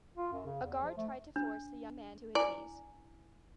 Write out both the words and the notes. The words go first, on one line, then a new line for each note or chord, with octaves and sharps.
A guard tried to force the young man to his knees.
F4
F#2
C#3
E2
F3
A3
D4
E4 D5 G#5